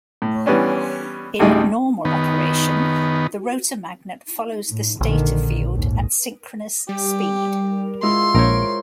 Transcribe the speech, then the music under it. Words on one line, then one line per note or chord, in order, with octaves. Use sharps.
In normal operation the rotor magnet follows the stator field at synchronous speed.
A2
E3 G3 B3 C#4 D4
A1 D2 G3 D#4 G#4
D#3 B3
A2
A#1 D3 D#3
D#2 G#2
G3 G4
G#3 E4 F4 C6
A#1 A#4 C5 C#5 D7